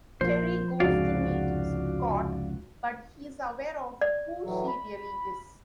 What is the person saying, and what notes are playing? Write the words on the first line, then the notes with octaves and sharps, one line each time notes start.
Terry goes to meet Scott, but he's aware of who she really is.
A#1 F3 A#3 C5
F1 C#2 G#2 F#4 D5 F5
D5
A2 E3 F#3
B5